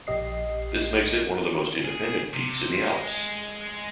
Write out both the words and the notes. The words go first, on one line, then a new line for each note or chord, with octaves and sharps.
That makes it one of the most independent peaks in the Alps.
A#1 G4 D#5 C7
G#4
C3
G#3